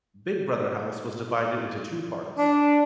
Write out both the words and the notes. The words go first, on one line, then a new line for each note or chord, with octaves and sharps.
Big Brother house was divided into two parts.
D4